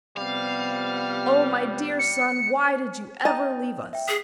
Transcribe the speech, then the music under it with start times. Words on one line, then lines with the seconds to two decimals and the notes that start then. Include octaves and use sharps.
'Oh, my dear son, why did you ever leave us?
0.17 C3 F3 G3 B3 F5
1.99 C#7
3.25 D#4 D#5 G5 A5
3.93 E5 G5
4.08 G#4 B6 C7